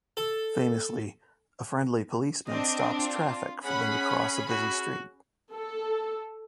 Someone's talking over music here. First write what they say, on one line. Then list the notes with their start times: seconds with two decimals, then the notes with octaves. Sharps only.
Famously, a friendly policeman stops traffic for them to cross a busy street.
0.17 A4
2.47 C4 D4 D#5
3.00 F4
3.64 C#4 G#4 F#5 B5
4.47 F#4
5.52 A4